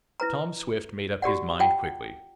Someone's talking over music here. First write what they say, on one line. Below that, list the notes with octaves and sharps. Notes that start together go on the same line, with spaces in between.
Tom Swift made up his mind quickly.
E4 B4 A#5
F#4 G4 D5 F#5
F4 F#5 G5 A5